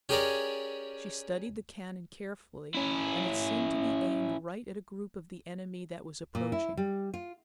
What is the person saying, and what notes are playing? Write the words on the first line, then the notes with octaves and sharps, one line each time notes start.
She studied the cannon carefully and it seemed to be aimed right at a group of the enemy that was approaching.
C#4 G4 G#4 A#4 C#5 D5
C#4 E4
A#2
E4
G3
F4